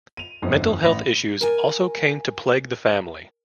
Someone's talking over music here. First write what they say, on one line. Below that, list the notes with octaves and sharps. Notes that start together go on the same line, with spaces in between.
Mental health issues also came to plague the family.
D#7 F7
G1 F2
A1 B5 A#6 F7
A#4 G#5